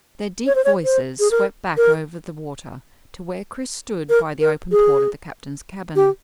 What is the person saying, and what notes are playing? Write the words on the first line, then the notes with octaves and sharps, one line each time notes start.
Their deep voices swept back over the water to where Chris stood by the open port of the Captain's cabin.
C#5
C5
C#5
C5
G#4
A#4
A#4
A#4
A#4
G#4
G4